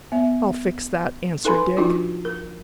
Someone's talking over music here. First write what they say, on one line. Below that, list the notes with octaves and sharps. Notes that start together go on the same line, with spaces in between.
"I'll fix that," answered Dick.
B3 E5
D#4 A4 B4 G#5 B5 C6
F3 D4 D#4 F4 F#4
A#4